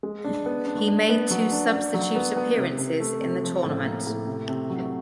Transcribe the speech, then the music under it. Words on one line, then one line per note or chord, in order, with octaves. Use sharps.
He made two substitute appearances in the tournament.
G#3
D4
B3
D4
D4
B3
F#3
D4
D4
F#3
B3
B3
C3
C3
A3
C3
F3
A2
A#3
A2
C3
C3
F#3